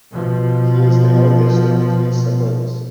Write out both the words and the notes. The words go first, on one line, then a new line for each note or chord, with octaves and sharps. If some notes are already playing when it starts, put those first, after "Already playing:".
He is the eldest of three siblings.
B2 F3